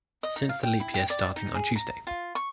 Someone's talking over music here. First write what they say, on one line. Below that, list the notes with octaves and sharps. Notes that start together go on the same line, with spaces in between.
Since the leap year starting on Tuesday.
D#5
D#4
F5
G5
E4
G5
D5
D#4
G#4
A#5
F4
C#6